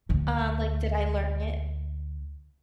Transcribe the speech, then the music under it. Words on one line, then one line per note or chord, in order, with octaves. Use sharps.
Um, like, did I learn it?
D2 D4